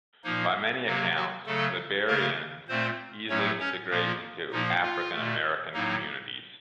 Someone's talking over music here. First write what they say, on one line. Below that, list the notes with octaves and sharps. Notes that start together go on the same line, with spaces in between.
By many accounts, Liberians easily integrate into African-American communities.
A#2 F3 A#3 D#4
C3 F#3 A#3
F#3 F#4
C#3 F#3 A3 A4
C#3 A3 A#3 A#4
A#2 A3 C4 C5
A2 F#3 A3 C#4 C#5
C#4 C#5
A#2 F3 A#3
A#2 F3 A#3 D#4
F4
A#2 A3
A2 F#3 A#3 D#4